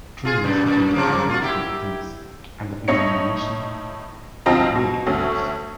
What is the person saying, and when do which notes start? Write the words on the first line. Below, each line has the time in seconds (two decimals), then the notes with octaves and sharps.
Trainees often require multiple attempts at the examination in order to pass.
0.25 F4 G#4
0.44 F#2 A#2
0.66 F#2
0.94 C3 F3 A#3
1.29 F4 F#4
1.42 E4 G4
2.88 A2 D#4 C#5 C#7
4.46 D2 F3 C4 F4 D#5 A#5
4.75 B2
5.07 D2 A3 C#4